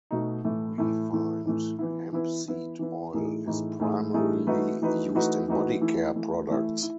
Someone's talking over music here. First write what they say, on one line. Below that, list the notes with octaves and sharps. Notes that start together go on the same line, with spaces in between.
Refined hempseed oil is primarily used in body care products.
B2 A3 D#4
A2 E3 A3
A2 E3 A3
A2 E3 A3
A2 E3 A3
E3 B3 E4
E3 B3 E4
E3 B3 E4
E3 B3 E4
A2 E3 A3 D#4 G#4
A2 E3 A3 D#4 G#4
A2 E3 A3 D#4 G#4
A2 E3 A3 D#4 G#4
E3 A3 D#4 F#4 B4
E3 A3 D#4 F#4 B4
E3 A3 D#4 F#4 B4
E3 A3 D#4 F#4 B4
E3 A3 E4
E3 A3 E4
E3 A3 E4
E4